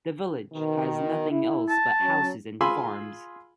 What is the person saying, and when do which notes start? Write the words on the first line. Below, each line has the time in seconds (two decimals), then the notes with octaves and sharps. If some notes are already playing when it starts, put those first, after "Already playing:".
The village has nothing else but houses and farms.
0.54 B2 D#3
1.32 E4
1.69 A5
2.01 F#3 C#4
2.61 F4 G#4 G#5 B5 C6 E6